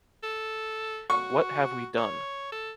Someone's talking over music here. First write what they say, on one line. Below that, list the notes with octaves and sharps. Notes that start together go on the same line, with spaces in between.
What have we done?
A4
F#4 C#6
C#5
A4